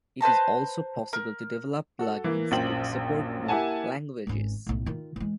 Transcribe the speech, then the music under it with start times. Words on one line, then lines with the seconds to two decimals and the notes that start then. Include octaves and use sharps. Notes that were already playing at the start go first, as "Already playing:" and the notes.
It is also possible to develop plug-ins to support more languages.
0.21 B4 C5 A5 A#5
1.13 A#4
1.99 F#4 A4
2.24 E3 A#3
2.51 A#1 F#2 A#2 C5 G5 F#7
3.48 A#3 E4 G4 F#5 G#5 A5
4.27 G#1 C#4
4.67 B1 A2
4.86 D#3 F4
5.16 E3 G#3